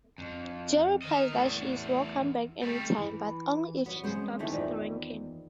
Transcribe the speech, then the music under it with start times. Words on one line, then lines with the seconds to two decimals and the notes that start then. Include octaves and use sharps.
Joe replies that she is welcome back anytime, but only if she stops drinking.
0.18 F2
1.02 A#4 D#5
1.33 E2 A3
2.63 G3 A3
2.98 E3
3.86 B3 F#4 C#5
4.04 C#3 G#3 B3 C4 C5
4.39 D#3 E3 A3
4.52 E2 A#2 C5